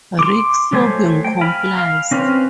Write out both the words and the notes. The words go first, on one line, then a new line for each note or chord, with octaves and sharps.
Rick, sobbing, complies.
C6 D6
F#3 A3 C5 G#5
G5
F5 G#5 B5
F5
C4 C#4 B4 C5 F5